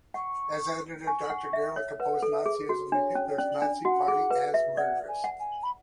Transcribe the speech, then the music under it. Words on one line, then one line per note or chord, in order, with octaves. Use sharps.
As editor, Doctor Gerlich opposed Nazism and Hitler's Nazi Party as "murderous".
F#5 C#6
G#5 C#6
F#5
E5
C#5
B4 F#5
A4
E5
G#4
F#4
D4 C#5
C#4
C#5
C#4 D5
D4
F#4 F#5
G#4
B4
E5
D5 F#5
G#5
F#5
G#5
B5